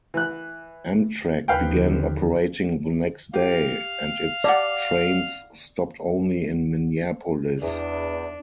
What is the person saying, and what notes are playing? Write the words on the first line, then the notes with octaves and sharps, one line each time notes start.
Amtrak began operating the next day and its trains stopped only in Minneapolis.
E3 F#6
D#2 D3 F3 B4 F5 G5
G4 F5
D5 F#5 A5
E2 D4